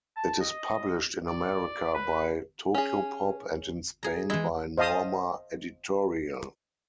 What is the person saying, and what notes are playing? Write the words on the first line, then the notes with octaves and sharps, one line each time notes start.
It is published in America by Tokyopop and in Spain by Norma Editorial.
A5
D#5
D5
B4
C#4 G#4
G#4 A#5
E3 G#3 E4
C5 D#5 F5 A5 D#6